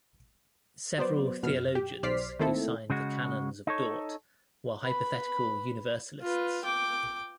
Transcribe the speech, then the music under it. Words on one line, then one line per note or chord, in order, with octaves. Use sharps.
Several theologians who signed the Canons of Dort were hypothetical universalists.
F#3 B3 C5 D5
F#2 B2 F6
G4
B1 C5 D5 F6 B6 C7
D#3 A3 A#3 C4 E4 A4
C#3 G#3 F#4
D#4 A4 C#5
B4 B5
F4 B4
G5 D6